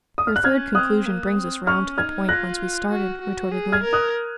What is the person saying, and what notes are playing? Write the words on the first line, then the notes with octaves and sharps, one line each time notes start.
"Your third conclusion brings us round to the point whence we started," retorted Link.
D#6
F6
F#6
C#4 F6 G#6
C4 D#6 F#6
A#3
C4
C#4 C#6 F6
D#4 F6 G#6
F4 F#6 A#6
F#4
F#4
G#4
F6 G#6
A#4
D#6 F#6